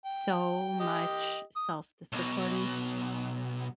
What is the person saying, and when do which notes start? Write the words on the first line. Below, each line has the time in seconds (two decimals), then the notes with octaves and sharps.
so much self-discipline
0.05 G5
0.80 G4 D#5
1.56 D#6
2.13 B1 B2